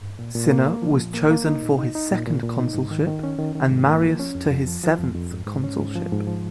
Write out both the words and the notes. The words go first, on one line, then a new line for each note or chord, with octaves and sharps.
Cinna was chosen for his second consulship and Marius to his seventh consulship.
A#2
A#2
A#3
A#3
F3
A#2
A#3
A#3
D#4
A#2
D#4
D#4
A#2
A#2
A#2
D#4
G#2
D#3
D#3
C#4
D#3
D#3
G#2
A#3
F3
C#4
F2
F2
F3
F3
F2
F2
G#2
G#2
C#4
G#2
F3
G#2
F3